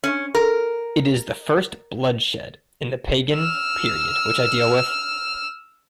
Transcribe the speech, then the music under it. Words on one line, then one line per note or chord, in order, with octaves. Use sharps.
It is the first blood shed in the pagan period which I deal with.
C#4
A#4
E6 F6